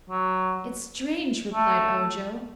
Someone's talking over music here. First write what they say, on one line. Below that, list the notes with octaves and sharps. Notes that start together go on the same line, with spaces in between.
"It's strange," replied Ojo.
F#3
A3